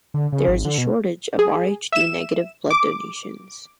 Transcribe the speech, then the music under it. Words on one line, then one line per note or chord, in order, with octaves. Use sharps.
There is a shortage of Rhd-negative blood donations.
D3
C#3
G#1
D3
B2
G#4
E5 E7
D6